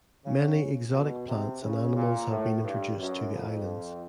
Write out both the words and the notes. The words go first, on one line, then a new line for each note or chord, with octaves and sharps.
Many exotic plants and animals have been introduced to the islands.
C#3
B2
C3
C#3
A#2
A2
G2
F#2
F2